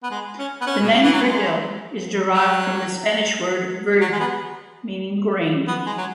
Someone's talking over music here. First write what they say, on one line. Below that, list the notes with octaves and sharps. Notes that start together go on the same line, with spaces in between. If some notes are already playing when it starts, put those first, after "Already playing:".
The name Verdel is derived from the Spanish word "verde", meaning "green".
B3
G#3
C#4
B3
C#4
B2
C#3
E3
F#3
G#3
F#3
F#3
G#3
B3
B3
G#3
F#3